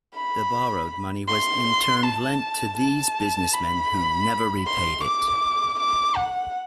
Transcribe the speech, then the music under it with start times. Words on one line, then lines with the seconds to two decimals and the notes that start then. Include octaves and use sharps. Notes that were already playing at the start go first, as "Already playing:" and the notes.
The borrowed money was in turn lent to these businessmen, who never repaid it.
0.15 B5
1.28 C6
2.03 A5
2.78 A5
3.54 B5
4.66 C6
5.04 D6
5.79 D6
6.16 F#5